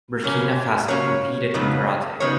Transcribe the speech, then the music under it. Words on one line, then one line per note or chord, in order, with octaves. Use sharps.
Burkina Faso competed in karate.
C#3 F#3 A#3 C#4
C#3 F#3 A#3 C#4 C#5
F2 C#3 F#3 B3 D#4
C#3 F#3 B3 D#4 C#5